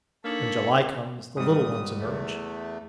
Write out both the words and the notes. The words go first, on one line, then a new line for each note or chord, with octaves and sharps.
When July comes, the little ones emerge.
A#3 D4 D#4 A4 C#5 B5
G#2 G3 D#6
E2 A3